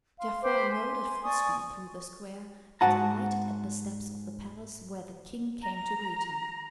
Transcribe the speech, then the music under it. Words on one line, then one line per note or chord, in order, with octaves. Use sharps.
Giafar rode at full speed through the square, and alighted at the steps of the palace, where the king came to greet him.
F5 C6
B4 C5 G5 D6
G#5 C6
D5 G#5 C#6 D#6
G#2 F#4 F#5 A5 A#5
A#5